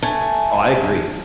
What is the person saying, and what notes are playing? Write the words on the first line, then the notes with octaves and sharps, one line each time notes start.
Oh, I agree.
A3 G#5